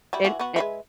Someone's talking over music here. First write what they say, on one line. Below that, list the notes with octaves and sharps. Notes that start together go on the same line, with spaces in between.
And an
F#3 G3 E4
E3 F#4
B3 F#4
G#3 B4 E5